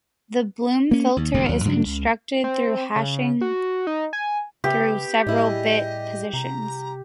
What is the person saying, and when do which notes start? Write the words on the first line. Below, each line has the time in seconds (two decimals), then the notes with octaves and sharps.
The bloom filter is constructed through hashing through several bit positions.
0.91 A#3 C#4
1.17 D#2
1.34 E1 D2 G#2 C3
1.49 D#2 F#3
1.65 G2 C#3 F#3 D4
1.86 C#2
2.44 C4
2.96 C#3
3.41 F#4
3.87 D#4
4.13 G#5
4.64 C#3 B3 G4 E5
5.27 A2 G3 E4 G#4 D#5
6.33 C3 A#5